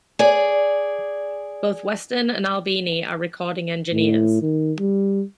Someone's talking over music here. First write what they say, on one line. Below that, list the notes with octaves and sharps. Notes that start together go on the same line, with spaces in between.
Both Weston and Albini are recording engineers.
G#4 D5
A2
D#3
G3